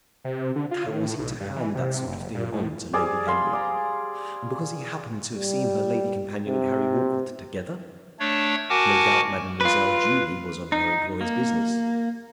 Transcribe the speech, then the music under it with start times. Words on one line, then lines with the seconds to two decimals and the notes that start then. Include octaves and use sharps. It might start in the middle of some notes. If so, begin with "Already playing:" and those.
But how was he to hand that sort of thing on to Lady Henry?--and because he happened to have seen her lady companion and Harry Warkworth together? No doubt Mademoiselle Julie was on her employer's business.
0.24 C3
0.56 D3
0.71 F4
0.87 A2
1.19 B1
1.40 G2
1.56 E3
1.75 C3
2.07 F#1
2.35 A#2
2.53 A2
2.93 G3 G#4 D5
3.27 F5 B5 C6
3.53 D5 A#5
5.34 G3
6.47 C3
8.20 A3 D4 C#5
8.70 F#4 A#4 F#5 G#5 A5 D6
9.61 F4 B4
10.72 D#4
11.21 A#3